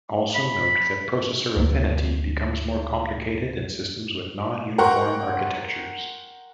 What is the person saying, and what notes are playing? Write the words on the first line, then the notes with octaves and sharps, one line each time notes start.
Also note that processor affinity becomes more complicated in systems with non-uniform architectures.
B5
D2 A#3
A#4 F#5 G5 C6 C#6